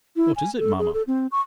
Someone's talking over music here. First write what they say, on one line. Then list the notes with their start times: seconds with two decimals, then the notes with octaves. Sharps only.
"What is it, mama?"
0.16 E4
0.36 G#5
0.59 A4
0.79 G#4
0.94 A4
1.07 C4
1.31 C#6